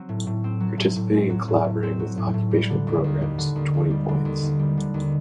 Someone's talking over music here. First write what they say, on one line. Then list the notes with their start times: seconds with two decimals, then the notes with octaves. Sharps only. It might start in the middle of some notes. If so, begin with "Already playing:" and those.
Participating and collaborating with occupational programs, twenty points.
Already playing: F#3 C4
0.09 A2
0.26 A2
0.44 C4
0.60 F#3
0.78 A2
0.96 A2
1.13 C4
1.30 F#3
1.48 A2
1.64 A2
1.83 C4
1.99 F#3
2.18 A2
2.34 A2
2.51 G3
2.70 D3
2.87 D#2
3.04 D#2
3.22 G3
3.38 D3
3.56 D#2
3.74 D#2
3.91 G3
4.09 D3
4.25 D#2
4.43 D#2
4.59 G3
4.77 D3
4.94 D#2